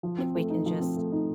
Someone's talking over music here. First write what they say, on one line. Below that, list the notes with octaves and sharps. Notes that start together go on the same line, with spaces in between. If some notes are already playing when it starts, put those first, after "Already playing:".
if we can just
F3
C4
A3
D#4
F3
C4
A3
D#4